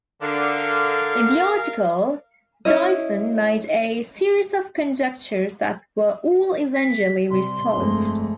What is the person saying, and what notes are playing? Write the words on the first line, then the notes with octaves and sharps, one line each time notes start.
In the article, Dyson made a series of conjectures that were all eventually resolved.
D3 A#4 F5
C#4 E4 D#5
B6
C3 G3 C6
G1 F2 G#3 A3